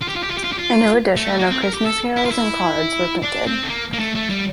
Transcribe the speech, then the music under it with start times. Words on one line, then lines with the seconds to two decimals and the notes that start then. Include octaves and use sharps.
A new edition of Christmas carols and cards were printed.
0.02 F4
0.09 G4
0.16 F4
0.23 G4
0.31 F4
0.38 G4
0.44 F4
0.52 G4
0.59 F4
1.16 A3
1.39 A#3
1.51 C4
1.62 A#4
1.74 G4
1.86 A4
2.17 E4
2.25 F4
2.31 E4
3.23 D4
3.46 C4
3.63 A3
3.69 A#3
3.93 A#3
4.00 A3
4.15 A3
4.30 G3